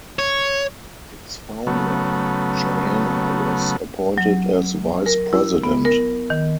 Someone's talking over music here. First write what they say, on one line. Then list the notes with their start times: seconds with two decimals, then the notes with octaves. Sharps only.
Its founder, Chihana was appointed as vice-president.
0.19 C#5
1.67 C#3 F#3 A3 B3
4.18 F#3
5.06 A#4
5.33 E4
5.64 B3
5.85 A#4
6.30 D#3